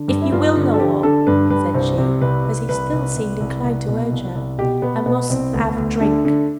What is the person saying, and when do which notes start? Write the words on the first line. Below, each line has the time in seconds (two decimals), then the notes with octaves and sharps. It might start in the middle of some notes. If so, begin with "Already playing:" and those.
If you will know all," said she, as he still seemed inclined to urge her, "I must have drink.
Already playing: D3
0.08 G2
0.22 E4
0.32 G2 F4
0.56 D3
0.74 A4
0.79 D3 G4
1.03 D3 A4
1.27 G2 B4
1.50 G2 B4
1.74 C2 C5
1.98 C3
2.21 C2 B4
2.45 C2
2.69 C2 B4
2.93 C2
3.17 C2
3.40 C2
3.64 C2
3.88 B2
4.11 C2
4.35 C2
4.58 B2 G4
4.82 B2 B3
5.06 B2 B3
5.30 C2 C4
5.53 D2 B3
5.77 D2
6.01 D3 A3
6.25 D3